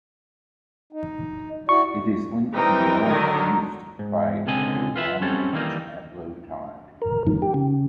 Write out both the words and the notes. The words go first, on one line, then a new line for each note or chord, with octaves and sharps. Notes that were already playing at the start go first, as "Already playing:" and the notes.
It is linked to North Uist by a long beach at low tide.
D#4
E4 F#4 D5 C#6
E3 G3 C4 D#4 A#4 G5
D3 D#3 F#3 D#4 A#4
G#2
C#2 B2 D3 C4 D#5 G#5
F4 B4 E5
G3 C4 C#4 F#4 A4
D#3 E3 G3 A#3 D#4
A#4
D#3
G4
C#3